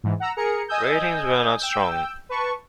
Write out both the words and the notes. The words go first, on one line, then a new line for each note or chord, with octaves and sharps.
Ratings were not strong.
G#2 E3
F#5 A#5 E6
G#4 A#4 A#5 C#7
D#5 G#5 D#6 E6 G6
G5 E6 G6
B4 A5 C#6